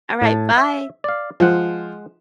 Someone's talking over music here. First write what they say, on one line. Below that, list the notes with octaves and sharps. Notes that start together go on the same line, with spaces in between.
Alright, bye.
A2 A5
E5
D5 F5
F3 G#3 F#5